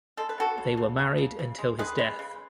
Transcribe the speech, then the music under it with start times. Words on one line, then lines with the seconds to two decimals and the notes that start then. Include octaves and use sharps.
They were married until his death.
0.17 G#3 A4
0.29 B4
0.38 C#3 F#4 A4
0.58 C#3
0.77 C#3
0.99 B3
1.18 C#3
1.39 C#3
1.59 G#3
1.79 G#3 G#4 B4
1.99 G#3
2.19 C#3